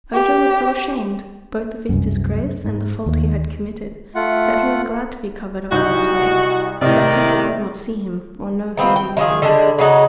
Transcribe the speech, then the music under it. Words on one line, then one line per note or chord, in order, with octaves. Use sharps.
Ojo was so ashamed, both of his disgrace and the fault he had committed, that he was glad to be covered up in this way, so that people could not see him or know who he was.
G4
C2 F#2
G#2
D#2
A3 F4 F#5
C2 D#4 F#4 G6
A2 C3 D#3 D5
D#3 B3 C4 F4
G5
D#3 F4 G4 G#4
D3 G3 G#3 D4
C#3 F#3 D#4 F#5